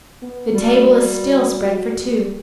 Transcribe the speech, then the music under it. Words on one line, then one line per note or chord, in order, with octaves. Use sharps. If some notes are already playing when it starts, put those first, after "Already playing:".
The table is still spread for two.
B3
G3 F#4
G3